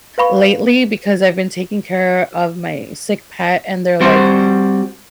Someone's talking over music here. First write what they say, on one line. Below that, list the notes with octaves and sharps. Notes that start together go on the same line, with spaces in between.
lately because I've been taking care of my sick pet, and they're, like,
B4 F5 B5 C#6
G3 C4 F#4 C5